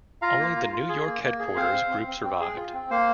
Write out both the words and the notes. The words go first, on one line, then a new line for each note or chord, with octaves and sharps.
Only the New York headquarters group survived.
F4 F5 A#5
A#3
F4
F4
G#4
A#3
A#3
G#4
C4 C5 F5
C4
C4
C4
C4
G#4
F4
C4
A#3 C5 F5